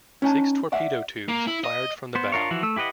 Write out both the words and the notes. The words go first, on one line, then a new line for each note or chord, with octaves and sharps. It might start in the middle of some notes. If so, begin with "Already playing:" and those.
Six torpedo tubes fired from the bow.
C#4 D#4 G#5 A5
D5 E5 F#5
A#3
E4
D#5
B3 C5
D4 F4 A#4 C#5
E3 F3 E4 F#4
A3 E6
E4 G4 B4 D#5 F#5